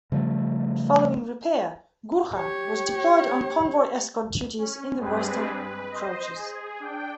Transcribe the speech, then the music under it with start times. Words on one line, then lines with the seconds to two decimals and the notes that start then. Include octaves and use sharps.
Following repair, "Gurkha" was deployed on convoy escort duties in the Western Approaches.
0.12 C#3 F3 G3 A3
2.34 G4 C#5
4.58 C#4
4.99 G2 G3 G#3 C4 G#4 B4
5.53 B4
5.90 C5 D#5
6.36 G#4
6.80 D4 G5